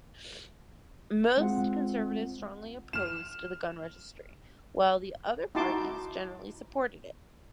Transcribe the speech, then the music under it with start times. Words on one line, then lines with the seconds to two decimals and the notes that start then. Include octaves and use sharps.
Most Conservatives strongly opposed the gun registry, while the other parties generally supported it.
1.37 G#3 C4 F4 F#5
2.93 F6 E7
5.55 D#4 E4 F#4 A5 C6 D6